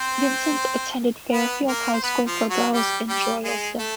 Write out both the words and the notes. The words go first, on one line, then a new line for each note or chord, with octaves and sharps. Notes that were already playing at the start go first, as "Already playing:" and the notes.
Vincent attended Fairfield High School for Girls in Droylsden.
Already playing: C4 C5
B3 B4
A#3 A#4
C5
B3 B4
F3 F4
F#3 F#4
G3 G4
G3 G4
G#3 G#4
A3 A4